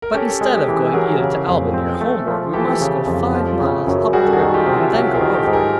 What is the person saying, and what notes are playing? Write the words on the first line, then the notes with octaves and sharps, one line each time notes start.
But instead of going either to Albany or homeward, we must go five miles up the river, and then go over it.
A#4
C#4 G4 A4
G#3
G4 A4
E3
F#3 G#4 A#4
C#3
F2
C4
A3
F3
E3 G4 A4
C#3
F2
F3
C#3
F#2
G3 F#4 G#4
A4
F#4 G#4
D#3
F4 G4
C3
E4 F#4
F#3 F4 G4
G#4 A#4
D#3
G4 A4
G#2
G#4 A#4